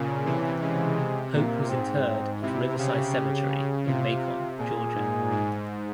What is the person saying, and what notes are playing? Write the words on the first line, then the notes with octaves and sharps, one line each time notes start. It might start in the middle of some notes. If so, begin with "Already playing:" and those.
Hope was interred at Riverside Cemetery in Macon, Georgia.
Already playing: A#2 C#3 C#4
C3 E3
C#3 G#3
C3
A#2 A#3
G#2 C4
C3 E4
C#3 G4
C3 F4
C3
A#2 G#4
G#2
G#2